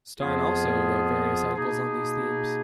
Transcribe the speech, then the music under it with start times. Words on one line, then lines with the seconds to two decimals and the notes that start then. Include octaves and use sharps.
Stein also wrote various articles on these themes.
0.19 F2 F3 B3 F4 G#4
1.56 B2 A#3 D#4 G#4